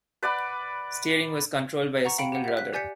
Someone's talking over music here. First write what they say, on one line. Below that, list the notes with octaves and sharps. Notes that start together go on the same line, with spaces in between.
Steering was controlled by a single rudder.
B4 D5 F#5 B5
F#5 A#5 C#6
F5 G5 B5 C#7 D7
G4 F#5
E5 F#5
F#6 B6
G4 D5 G#5 G6 B6 C#7